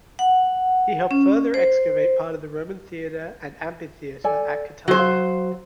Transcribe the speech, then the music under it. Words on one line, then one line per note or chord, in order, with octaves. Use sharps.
He helped further excavate part of the Roman theater and amphitheater at Catania.
F#5
C#4
C5
A4 D5 G#5
F#3 F#4 G#4 C5
F5